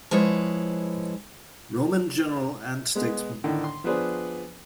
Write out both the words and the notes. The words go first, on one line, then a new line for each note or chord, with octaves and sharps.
Roman general and statesman.
F3 G#3 E4 B4 C#5
G#3 B3
A2 D3 D#3 D4
C6
F3 B3 D4 G#4 B4 C5